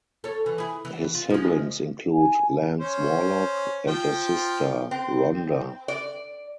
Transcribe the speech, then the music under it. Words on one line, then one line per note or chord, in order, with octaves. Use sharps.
His siblings include Lance Warlock and a sister, Rhonda.
A4 C#5
E3
E4 G#4
E3
F4
F3 G#3
G#5
C#4 C5
F3 F4 G5
C4
D5